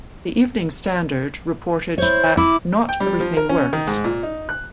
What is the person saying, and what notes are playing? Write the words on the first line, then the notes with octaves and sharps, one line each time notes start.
The "Evening Standard" reported that "Not everything works".
E4 C5 C#5
E4 D6
G5
G3
F3
A#4
C#4
D#3
G#2
A#2
D#4
F#6